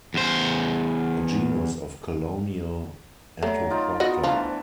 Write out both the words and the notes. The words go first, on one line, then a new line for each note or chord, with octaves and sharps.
A genus of colonial Entoprocta.
E2 C5
F#3 A3 D5
D#4 F4 D5
B3 F4 F#4 D#5
E3 F3 A3 D4